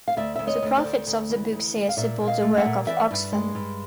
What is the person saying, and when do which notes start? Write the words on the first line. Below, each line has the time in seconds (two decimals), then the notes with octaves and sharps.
The profits of the book sales support the work of Oxfam.
0.08 F5
0.17 D2 D5 E5
0.36 D2 E5
0.47 C#5 D#5
0.62 D2
0.77 C5 D5
0.84 D2
1.07 D2
1.30 E3
1.52 D2
1.75 D2
1.89 F5
1.97 A#2 D5 E5
2.20 A#2
2.28 D#5 F5
2.42 A3
2.58 E5 F#5
2.66 A#2
2.87 E3 D5 E5
3.11 G2
3.32 G#3
3.55 G2